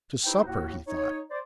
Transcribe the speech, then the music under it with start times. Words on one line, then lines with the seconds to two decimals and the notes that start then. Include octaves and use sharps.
"To supper!" he thought.
0.25 D#4 E4 G4 B4 C5 G5
0.46 D#2 A2 F#4
0.87 D#4 C#5
1.31 C5 D5